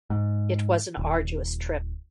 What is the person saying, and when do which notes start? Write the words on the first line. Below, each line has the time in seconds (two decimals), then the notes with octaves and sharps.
It was an arduous trip.
0.10 G#2
0.97 D#1